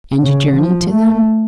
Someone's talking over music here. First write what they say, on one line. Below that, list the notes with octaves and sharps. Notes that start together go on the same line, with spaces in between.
"And you journeyed to them?"
C#3
F3
A3